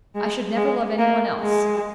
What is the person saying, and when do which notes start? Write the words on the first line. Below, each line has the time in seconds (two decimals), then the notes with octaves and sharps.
"I should never love any one else."
0.15 G#3
0.56 G#3
0.98 A#3
1.40 G#3